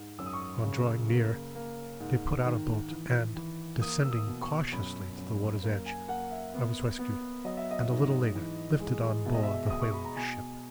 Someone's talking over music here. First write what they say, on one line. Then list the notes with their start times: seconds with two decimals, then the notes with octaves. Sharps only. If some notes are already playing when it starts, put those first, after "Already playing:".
On drawing near, they put out a boat, and, descending cautiously to the water's edge, I was rescued, and a little later lifted on board the whaling-ship.
Already playing: G#2
0.19 F#2 E6
0.26 D#6
0.33 C#6
0.40 D#6
0.64 C#3
1.10 A#3
1.55 A#3
2.00 G#2
2.45 D#3
2.90 E3
3.36 E3
3.81 A#3 D#6
4.02 E6
4.11 D#6
4.27 B2
4.42 C#6
4.72 F#2 B5
5.17 F#2
5.63 A#3
5.86 G#5
6.08 A#3 F#5
6.31 E5
6.54 B3
6.99 B3
7.44 F#3 D#5
7.57 E5
7.71 D#5
7.90 G#2
8.35 E3
8.80 G#3
9.25 B2 E5
9.34 D#5
9.43 E5
9.70 B2 D#6
9.82 C#6
9.93 B5
10.05 A#5
10.16 B2 G#5